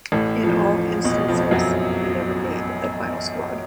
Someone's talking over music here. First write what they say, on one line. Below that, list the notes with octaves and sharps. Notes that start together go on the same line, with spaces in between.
In all instances he never made the final squad.
A1 A2
F2 F3
B1 B2
F2 F3
F#2 F#3